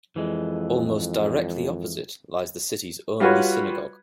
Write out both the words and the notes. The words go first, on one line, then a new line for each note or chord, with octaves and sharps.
Almost directly opposite lies the city's only synagogue.
F2 E3 G#3
G3 F4 F#4 B4 C#5